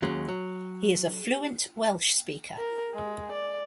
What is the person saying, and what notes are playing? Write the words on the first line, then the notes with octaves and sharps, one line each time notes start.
He is a fluent Welsh speaker.
D#2 F#3 G#3 C#4
F#3
A#4
G#3
D5